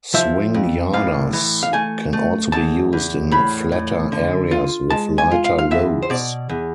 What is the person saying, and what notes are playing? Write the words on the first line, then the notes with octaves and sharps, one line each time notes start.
Swing yarders can also be used in flatter areas with lighter loads.
F3 E5
F2
A2 F5
E3
F5
A3 G#5
A3
E2 A5
E2
A2 B5
A2
D3
F4
G#3 A5
G#5
F4
F5
F5
E2 E5
C5
B2 D5
E2